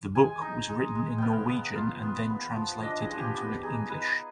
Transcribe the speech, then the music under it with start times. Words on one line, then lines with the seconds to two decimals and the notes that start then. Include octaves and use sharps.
The book was written in Norwegian and then translated into English.
0.15 G#3 G#5
0.42 D#4
0.69 G#3
0.95 G#3
1.18 B3 F5 G5
1.49 B3
1.76 F4
2.03 B3
2.30 B3
2.56 F3
2.83 D4 D#5
3.01 G#4
3.10 F3
3.18 G4
3.36 B3 G4
3.63 D#4 G#4
3.90 D#4 B4